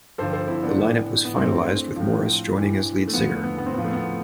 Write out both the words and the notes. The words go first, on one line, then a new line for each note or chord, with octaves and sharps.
The lineup was finalised with Morris joining as lead singer.
G2 D3 F3 A4 C5
A4 C5
C4 E4
B3 D4
A2 E3
B3
G2 E3 A3 C4
A2 F3
G2 E3
A3
E2 D3 F3 B3
A3
A3
B3
B3
C4
A2 F3 B3
A3
B3